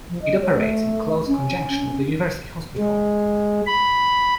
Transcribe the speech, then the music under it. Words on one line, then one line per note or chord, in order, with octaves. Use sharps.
It operates in close conjunction with the university hospital.
F3
D#5
C#5
A3
C#4
G#3
B5